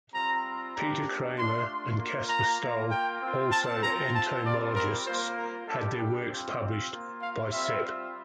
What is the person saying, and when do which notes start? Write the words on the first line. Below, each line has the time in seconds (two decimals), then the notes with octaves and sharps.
Pieter Cramer and Caspar Stoll, also entomologists, had their works published by Sepp.
0.14 G3 C4 F4 A#5
0.75 A#3 D4 G4 A#5
1.38 A3 D4 F4 C6
1.98 A#3 F4
2.29 A#5
2.60 A#3 F4
2.91 G5
3.21 C4 F4
3.52 A5
3.83 C4 F4 A#5
4.14 A5
4.44 G3 C4 F4 D5
4.75 A#4
5.06 A#3 F4 C5
5.37 A#4
5.67 G3 D4 G4 A4
5.98 G4
6.29 C4 F4
6.90 A#3 F4
7.21 F5
7.52 G3 C4 F4 E5